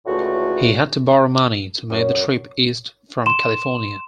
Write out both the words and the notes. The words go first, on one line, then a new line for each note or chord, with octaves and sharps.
He had to borrow money to make the trip east from California.
C#2 A2 D3 E3 A3 F#4
F#2
C6 E7